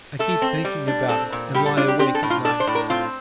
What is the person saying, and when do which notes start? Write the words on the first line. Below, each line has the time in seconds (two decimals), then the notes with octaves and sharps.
I keep thinking about it and lie awake at nights.
0.19 A3 A4
0.42 C4
0.65 G3
0.87 D4
1.09 C4 A4
1.32 A#2
1.54 G3 G4
1.66 A4
1.77 D4 F4
1.88 G4
1.99 C4 G4
2.15 A4
2.23 A2
2.30 F4
2.45 D4 A4
2.60 C5
2.67 A2
2.75 A#4
2.90 C4 F4